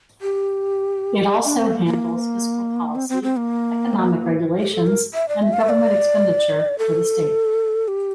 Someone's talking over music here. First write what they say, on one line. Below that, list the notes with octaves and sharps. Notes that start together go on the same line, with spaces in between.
It also handles fiscal policy, economic regulations and government expenditure for the state.
G4
D4
C4
A#3
A#3
C4
C4
C4
A#3
G4
A4
A#4
E5
D5
E5
F5
E5
D5
A4
G4